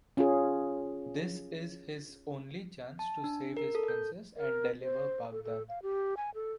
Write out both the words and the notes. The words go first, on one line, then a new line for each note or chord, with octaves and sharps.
This is his only chance to save his princess and deliver Baghdad.
C#4 F4 G#4
A5
D4
A#4
A4
G6
A#4
C5
A4
A4
F5
G4
G#5
A4